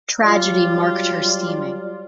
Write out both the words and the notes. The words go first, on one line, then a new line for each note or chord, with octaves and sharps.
Tragedy marked her steaming.
F#3 G3 F4 D5